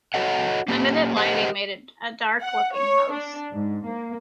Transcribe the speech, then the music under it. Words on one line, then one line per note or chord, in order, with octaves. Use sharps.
Limited lighting made it a dark looking house.
F#4 A4 C#5 D#5 F#5
A#3 C#4 G4
G4 A#4 C5 D#5 F#5
F#5
C#5
D4
G#2
A#3